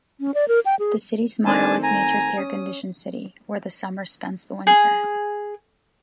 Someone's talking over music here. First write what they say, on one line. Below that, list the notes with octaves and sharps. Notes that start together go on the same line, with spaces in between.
The city's motto is nature's air conditioned city, where the summer spends the winter.
C#4
D5
A#4
G5
G#4
D#3 A3 C4 D4 G#5 A5
G#5 A#5
C#4 D#6
G#4